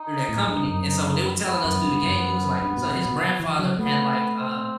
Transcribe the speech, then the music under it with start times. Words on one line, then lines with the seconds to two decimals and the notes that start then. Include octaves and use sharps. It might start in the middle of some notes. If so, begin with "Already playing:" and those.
through that company, and, so, when they were telling us through the game, he was like so his grandfather had like, uh,
Already playing: D#4
0.29 A2
0.48 G2
0.67 F#2
1.45 B3
1.64 F#2
1.84 G2
2.03 F#2
2.62 G2
2.77 B2
2.91 C3
3.06 B2
3.40 E3
3.59 F#3
3.78 A3 B3
4.36 C4